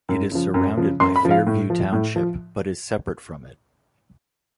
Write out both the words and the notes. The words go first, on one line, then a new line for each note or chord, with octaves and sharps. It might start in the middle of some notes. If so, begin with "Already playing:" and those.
It is surrounded by Fairview Township but is separate from it.
F#2
C#3 F3
F#2
C#3 F3
F#2 C6
B5
C#3 F3
F5
A2
F3
A2
F3